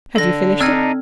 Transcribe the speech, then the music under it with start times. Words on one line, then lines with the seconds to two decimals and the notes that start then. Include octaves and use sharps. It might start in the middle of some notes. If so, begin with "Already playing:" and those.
Have you finished it?
0.16 D3 A4 A#6
0.60 C4 D4 D#4 E6 F6 G#6